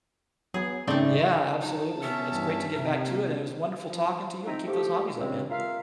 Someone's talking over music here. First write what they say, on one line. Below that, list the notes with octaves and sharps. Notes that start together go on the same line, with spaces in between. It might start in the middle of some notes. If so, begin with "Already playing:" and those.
Yeah, absolutely. It's great to get back to it and it was wonderful talking to you and keep those hobbies up, man.
F#3 B3 G#4
G#2 C#3 A3 C4 D#4 D5
F#3 D#4 A5
B3 C#4 E5
G2 E3
C3 A#4 E5
A#3
F3
C4 D#4 E5 G5 A#5
F3 A3 G4
C#2 G2 C#3 G#3 C4
F4 A#4 E5 F5